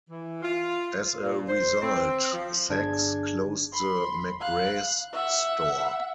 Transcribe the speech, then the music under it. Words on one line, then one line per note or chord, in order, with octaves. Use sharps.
As a result, Saks closed the McRae's store.
E3
F4
A#2
C5
C4
F3
G1 D4 G#4 G#6
B5 C6
F5 F#6
E5 F#5